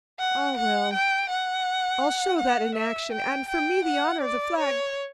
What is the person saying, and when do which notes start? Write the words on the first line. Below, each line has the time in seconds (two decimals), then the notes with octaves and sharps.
Ah well, I'll show that in action, and for me the honor of the flag...
0.20 F#5
0.57 F#5
0.93 G5
1.30 F#5
2.39 F#5
2.75 E5
3.12 G5
3.48 G5
3.85 F#5
4.21 D5
4.58 C#5